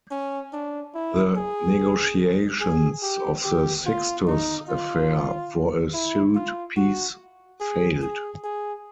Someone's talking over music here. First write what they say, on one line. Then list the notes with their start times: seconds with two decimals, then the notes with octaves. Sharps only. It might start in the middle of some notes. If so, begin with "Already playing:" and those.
The negotiations of the Sixtus Affair for a sued peace failed.
0.11 C#4
0.53 D4
0.94 E4
1.36 G#4
2.61 G#4
3.02 G4
3.44 G4
3.86 F4
4.27 D#4
4.69 F4
5.94 E4
6.35 F4
6.77 F#4
7.60 G#4
8.02 G#4
8.44 G#4